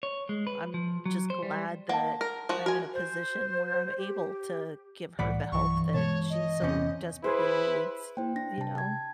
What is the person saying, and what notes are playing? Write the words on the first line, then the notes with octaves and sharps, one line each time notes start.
I'm just glad that I'm in a position where I'm able to give her the help that she so desperately needs, y you know?
C#5
G#3
B4
F3
F#3
C5
G3
A#3 F#5 A5
A#4
F3 F#4
F#4 A#4 G#5
C5
G4
C2 A2 E3 D5 F#5 B5
B1 G2 E3 C#6
B2 G#3 C#5 A5 C#6
D#5
E2 C3 C#4 G6
E4 G#4 B4 C5
A#3 E4 C5 G5
D4 A#6
C3 G5 A5
A5 G#6